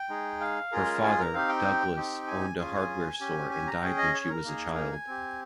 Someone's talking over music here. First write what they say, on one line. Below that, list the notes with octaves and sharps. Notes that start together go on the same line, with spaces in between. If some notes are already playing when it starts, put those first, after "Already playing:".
Her father, Douglas, owned a hardware store and died when she was a child.
Already playing: G5
G#3 D#4 G#4
F5
G#3 C#4 F4 G#4 A#4
G#4
A#4
C4 D#4 G4 F5
G5
C4 D#4 G4
G#5
C#4 F4 G#4 G#5
C#4 G4
G#5
A#5
C#4 G#4 G5
D#5
C#5
G#4
A#4
A#3 D#4 G#4
A#4
G#5
C4 G4